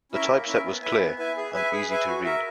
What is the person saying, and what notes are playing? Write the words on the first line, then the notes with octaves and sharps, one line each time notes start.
The typeset was clear and easy to read.
C#4 E4 A#4 E5
A#3
C#4 E4 A#4 E5
B3
E4 B4 E5 G#5
B3
E4 B4 E5 G#5
G#4
B4 E5 G#5
G#4
B4 E5 G#5
F#4
A#4 E5